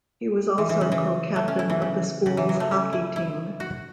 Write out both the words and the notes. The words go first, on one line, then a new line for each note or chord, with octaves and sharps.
He was also co-captain of the school's hockey team.
E3
E3
C#3
E3
A3
C#4
E4
E3
C#3
C#3
E3
F#3
A3
C#4
E4
E4
F#4